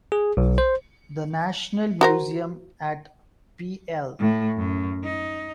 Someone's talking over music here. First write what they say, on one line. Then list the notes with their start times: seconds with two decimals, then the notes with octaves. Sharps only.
The National Museum at pl.
0.12 G#4
0.37 B1
0.58 C5
2.01 F#4 A#4 C5
4.19 A2
4.57 F#2
5.04 D#4